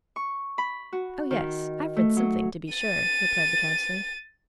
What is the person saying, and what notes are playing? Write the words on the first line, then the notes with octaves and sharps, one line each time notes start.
"Oh yes, I've read something, to be sure," replied the Councillor.
C#6
B5
F#4
D#3
A3
F#3
A6 D#7